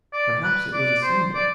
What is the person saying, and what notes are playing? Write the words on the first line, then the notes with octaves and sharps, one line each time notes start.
Perhaps it was a symbol.
D5
B4
D5
C5
D5